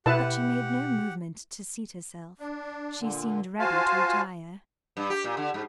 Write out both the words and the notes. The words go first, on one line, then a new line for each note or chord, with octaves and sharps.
But she made no movement to seat herself; she seemed ready to retire.
B2 E4 G4 B4 F#5 A5
D4
A#2 D3
F4 F#4 C5 F5 G#5 A5
G2
G4
A#2
D3
G#2